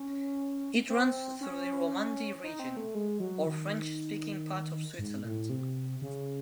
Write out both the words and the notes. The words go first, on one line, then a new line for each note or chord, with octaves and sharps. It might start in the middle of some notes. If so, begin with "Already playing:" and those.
It runs through the Romandie region, or French-speaking part of Switzerland.
Already playing: C#4
C4
C#4
D#4
C4
A3
G#3
F#3
D#3
G#2
A2
C3
C#3